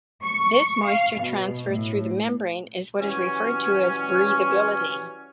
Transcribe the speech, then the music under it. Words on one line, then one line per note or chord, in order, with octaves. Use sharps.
This moisture transfer through the membrane is what is referred to as breatheability.
C#6
F5
B2
A2
E3 F#3 G3 C#4